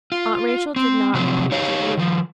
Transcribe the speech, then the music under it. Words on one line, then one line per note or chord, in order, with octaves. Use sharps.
Aunt Rachel did not appear to hear her.
F4
C4
C3 F3 F#3 C4
D#4 G4 C#5 D#5 F5
D#3 F3